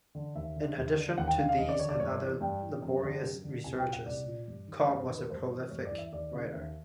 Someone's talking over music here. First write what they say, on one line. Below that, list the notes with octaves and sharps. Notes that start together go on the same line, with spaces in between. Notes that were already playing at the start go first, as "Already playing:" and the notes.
In addition to these and other laborious researches, Kopp was a prolific writer.
D3
D#2 E5
D3
D#2
D3
D#2 F#5
G5
D3 F5
F5
D#2 D#5
D5
D3 C#5
D5
G2 C#5
E3
G2 G5
E3
F#2
D3
F#2
D3
C2 G#5
G5
A#2
F#5
C2 D5
A#2
G2
D#3
G2 C#5
C5
D#3 B4
A#4
G2 C5
E3
G2 C#5
D5
E3
E5
D#2 D5
C#3 E3
D#2 E5